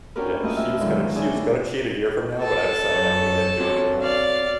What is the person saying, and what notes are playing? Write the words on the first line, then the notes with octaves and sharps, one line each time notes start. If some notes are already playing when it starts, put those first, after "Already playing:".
Yeah, "She was gonna she was gonna cheat a year from now, but I decided I would go ahead and do it anyway.
C#4 D4 F#4 G4 A#4 B4
A3 A#3 F4 B4 D#5
F2 E5
D3 D#3 F3 F#3 G#3 D#4
C#3 C4 D4 E4 G#4
A3 D4
A4 A5
F#2 C#5
C4 F#4 C#5
D5 F5